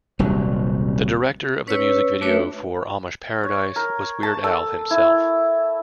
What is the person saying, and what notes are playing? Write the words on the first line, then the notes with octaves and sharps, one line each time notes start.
The director of the music video for "Amish Paradise" was Weird Al himself.
D#1 C2 F#3
C#4 B4 C#5 E6
A3 D4 F#4 B4 C#5 E5
C#5
A#4
A5
A4
E4